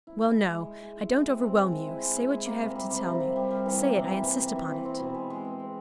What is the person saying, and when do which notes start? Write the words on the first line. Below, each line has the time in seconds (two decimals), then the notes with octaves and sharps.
"Well, no, I don't overwhelm you; say what you have to tell me--say it, I insist upon it."
0.07 E4
0.22 G#3
0.38 G#3
0.52 G#3
0.67 G#3
0.82 G#3
0.97 E4
1.12 G#3
1.28 C4
1.41 C4
1.57 G#3
1.72 G#3
1.87 E4
2.01 G#3
2.17 E4
2.31 G#3
2.46 A#3
2.62 C3
2.76 G3
2.90 C3
3.06 C3
3.21 G3
3.36 G3
3.51 G3
3.66 E3
3.81 A#3
3.95 C3
4.10 E3
4.25 E3
4.40 C3
4.56 E3
4.70 E3
4.85 C4
4.99 B2
5.14 G#3
5.30 G#3
5.45 C4
5.60 C4